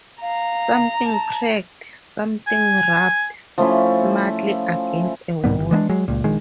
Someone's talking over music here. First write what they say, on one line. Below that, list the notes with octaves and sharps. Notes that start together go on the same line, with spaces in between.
Something cracked, something rapped smartly against a wall.
F5 A#5
A5
G#5
F3 A3 C#4 E4
C2 G#2 G3 B3
G1
E3 G#3 A#3 D4
F#3 G#3
C#2 A#2
A#1 D#3 G#3